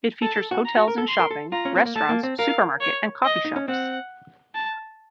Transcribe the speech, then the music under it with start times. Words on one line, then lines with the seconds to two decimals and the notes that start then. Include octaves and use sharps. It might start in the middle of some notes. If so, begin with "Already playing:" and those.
It features hotels and shopping, restaurants, supermarket, and coffee shops.
0.22 A4 A5
0.36 A4
0.51 F#4
0.65 A#5
0.76 F#4
0.88 A#4
0.98 A4
1.08 C6
1.19 A#4
1.31 A4
1.52 F4 A#5
1.65 C#4
1.75 C4
1.85 A#3
1.95 A3 A5
2.09 A#3
2.23 C4
2.39 A#4 F5
2.81 C#5
3.25 D#5
3.45 D#4
3.56 C#4
3.68 C4 F#5
4.55 A5